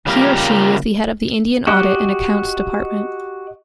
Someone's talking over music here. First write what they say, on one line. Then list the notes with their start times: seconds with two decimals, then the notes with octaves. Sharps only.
He or she is the head of Indian Audit and Accounts Department.
0.07 C#3 G3 A#3 F4 G4 A#4
1.67 F#4 G4 D#5 D6 F#6